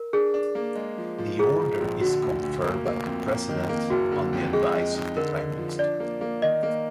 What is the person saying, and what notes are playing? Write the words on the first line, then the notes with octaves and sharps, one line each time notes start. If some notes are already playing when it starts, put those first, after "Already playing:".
The Order is conferred by the President on the advice of the Prime Minister.
Already playing: A#4
D4 G#4
D4
A#3
G#3
F3
F3
G#2 G#4
F3
A#1
D3 F#4
D2
D2
A#3
A#3
F2
A#3
D#3
A#3
F#1 F#4
D3
F2
G#3 G#4
G#3
D#4
D3 A#4
D3
F3
D4 D5
A#3
A#3
D#3 D#5
A#3